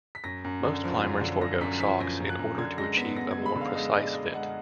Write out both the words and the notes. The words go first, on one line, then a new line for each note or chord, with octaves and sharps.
Most climbers forgo socks in order to achieve a more precise fit.
B6
F#2 A#6
F#2
D3
F3
F#2
D3
F#2 A#6
F#2 B6
F3 B6
F#2 A#6
F#2
F#6
F#2
D3 G#6
G#3 A#6
B3 B6
B3 A#6
G#6
G#3
B5
D3
F5
G#3 D#5
G#3 D5
G#3 D#5
G#3 F#5